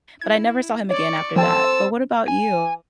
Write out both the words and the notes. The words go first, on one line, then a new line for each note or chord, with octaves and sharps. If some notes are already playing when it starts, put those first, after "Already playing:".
but I never saw him again after that, but what about you?
E4 G#6
C#5 D5 C#6
F3 C4 A4 G5 A5 C6 E6
G#5